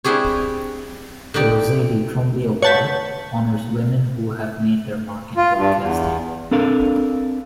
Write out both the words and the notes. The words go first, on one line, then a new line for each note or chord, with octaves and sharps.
The "Rosalie Trombley Award" honours women who have made their mark in broadcasting.
C4 D4 E4 G4 G#4 C#5
D3 D#4 G4 D5
C#5 F#5 A5 G6 B6
F4
G2
E2
C4 D4 A4 A#4 F5